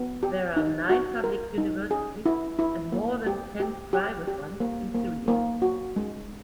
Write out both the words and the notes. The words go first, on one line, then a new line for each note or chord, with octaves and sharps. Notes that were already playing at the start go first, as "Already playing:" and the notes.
There are nine public universities and more than ten private ones in Syria.
Already playing: B3
G4
D#4
F#4
A#4
D#4
G#4
E4
E4
A#3
G4
G4
G4
G4
A#3
A#3
A#3
F#4
G#3